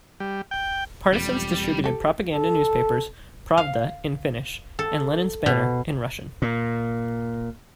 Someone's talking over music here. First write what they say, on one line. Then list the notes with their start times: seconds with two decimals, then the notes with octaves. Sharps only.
Partisans distributed propaganda newspapers, "Pravda" in Finnish and "Lenin's Banner" in Russian.
0.20 G3
0.51 G5
1.13 E1 F2 G3
1.84 G4 A4
2.34 A4
3.57 F5
4.79 A4
5.46 B2
6.42 A#2